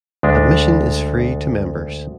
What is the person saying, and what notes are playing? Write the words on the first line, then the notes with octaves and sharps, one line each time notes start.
Admission is free to members.
D2 G#3 D4